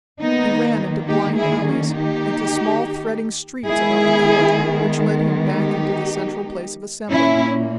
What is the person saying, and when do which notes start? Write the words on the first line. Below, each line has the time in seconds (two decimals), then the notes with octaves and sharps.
He ran into blind alleys, into small threading streets about the court, which led him back into the central place of assembly.
0.21 D#3 A#3 B3 D#4
1.08 D#4 G4
1.37 E4 G#4
1.65 C#4
1.94 D#4 G4
3.66 D#3 G#3 B3 E4 G#4
5.38 D#4 G4
7.10 A#2 A#3 C#4 E4